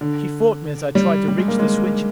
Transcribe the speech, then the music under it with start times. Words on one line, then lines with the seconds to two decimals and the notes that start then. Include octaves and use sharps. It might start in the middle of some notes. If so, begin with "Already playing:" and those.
She fought me as I tried to reach the switch.
0.01 D3
0.95 G3
1.28 G3
1.38 G#3
1.48 A#3
1.59 G#3